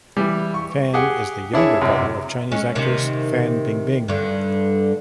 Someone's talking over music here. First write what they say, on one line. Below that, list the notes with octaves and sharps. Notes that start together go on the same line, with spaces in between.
Fan is the younger brother of Chinese actress Fan Bingbing.
E3 G3
C#6
G4 G#4 F#5
D4 E4 G#4 C#5
C#2 F#2 C3
G#3 C#4
C3 D#3 A#3
G2 D3